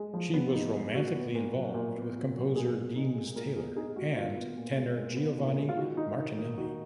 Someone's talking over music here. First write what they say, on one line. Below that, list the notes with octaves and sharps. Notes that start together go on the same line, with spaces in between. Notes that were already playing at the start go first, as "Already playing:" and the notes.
She was romantically involved with composer Deems Taylor and tenor Giovanni Martinelli.
Already playing: G#3
F3
B3
D#4
G#3
A#2 F#4
B3
A#2
F#3
A#2
B3
A#2
F#3
A#2 G#4
B3
D#4
G#3
A#2 A#4
B3 G#4
D#4 G#4
G#3 F#4
A#2 F4
B3
A#2
G#3
A#2
B3
A#2
G#3
F4
D#3 F#4
D#4
D#3
A#3
D#3 F#4